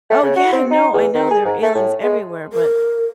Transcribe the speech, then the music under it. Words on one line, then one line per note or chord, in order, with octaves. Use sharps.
Oh, yeah, no, I know there were aliens everywhere, but,
A3
C#3
F#4
C4
D#4
E2
D#3
G#4
G#2
A3
A2
G#3
A#4